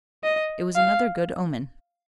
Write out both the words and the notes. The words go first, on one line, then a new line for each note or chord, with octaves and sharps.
It was another good omen.
D#5
F5